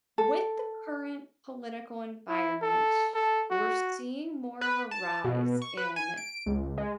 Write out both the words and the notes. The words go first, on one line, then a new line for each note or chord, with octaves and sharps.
With the current political environment, we're seeing more of a rise in
A4
E4
A4
A4
F#4
B4
A5
B2
C#6
B4
G#5
D7
C#2
G#3